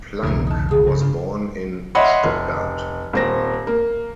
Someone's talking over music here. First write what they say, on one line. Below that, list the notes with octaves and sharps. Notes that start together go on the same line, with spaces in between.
Planck was born in Stuttgart.
B1 E2 C#3 D4 E4 A#4
D#4 A5
C2 D3 D#3 G#4
G2 C#3
D4 F4
C#5 D#5 E5 F#5 B5 C6
F1
D#1 C4 A#6
A#3